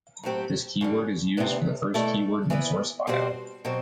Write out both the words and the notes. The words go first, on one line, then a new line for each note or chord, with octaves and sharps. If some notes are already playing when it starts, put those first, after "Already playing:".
This keyword is usually the first keyword in the source file.
A2 F#3 C4 G4
F#2 D3 G3
D2 C3 E3 B3 D4
B2 A3 E4 A4 D5
E3 B3 E4 B4 D5
B2 G3 C4 F#4 C5
B2 F#3 C4